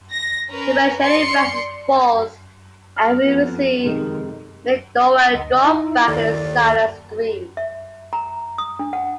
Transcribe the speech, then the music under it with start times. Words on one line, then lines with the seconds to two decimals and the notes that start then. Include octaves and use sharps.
The machete rises, falls, and we see McDowell draw back in a silent scream.
0.12 A#6
0.51 C#4 A#4 B4
1.01 D5 C6 C#7
2.96 F6
3.24 F2 B3
3.84 F1 D#3 G#3
5.34 D2 D#5
5.65 D#4 E4
6.08 D#2 A4 D5
7.57 E5
8.13 A#5
8.58 D#6
8.79 D4
8.93 F#5